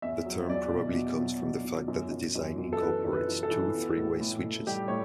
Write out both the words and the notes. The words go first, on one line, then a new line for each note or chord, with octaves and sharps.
The term probably comes from the fact that the design incorporates two "three-way" switches.
E2 E5
F#3
E2 D5
B2
B2
F#3
B2
B2
F#2
F#2
F#2
F#2
A4
E3 B4
F#2
B4
E3
A4
E3
B3
A2
A2
A2
G3 G4
A2 C#5